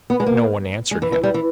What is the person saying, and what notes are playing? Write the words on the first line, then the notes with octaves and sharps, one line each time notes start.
No one answered him.
B3
G#3
A#3
G#3
E3
E3
G3
E3